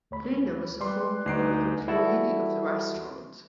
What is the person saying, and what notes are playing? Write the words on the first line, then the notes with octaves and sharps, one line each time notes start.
Luna was a former employee of the restaurant.
D2 C#5 B5
G3 B4 D5 C6
D2 D#4 C7 D7
E3 G3 E4 F#4 A4 A5